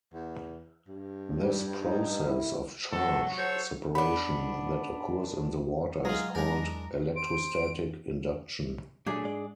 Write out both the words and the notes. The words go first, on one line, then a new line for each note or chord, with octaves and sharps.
This process of charge separation that occurs in the water is called "electrostatic induction".
E2
G2
G3
D#4
E4
F#3 F#4 A4
A4 C5 C#5 E6
B3 D4 B5
F#3 G#3 F4 G#4 A#5
E2 G#3 D4 A#4 A#5
C5 D7
A#2 F#3 A3 D4 G#4
G#2 G#3 D5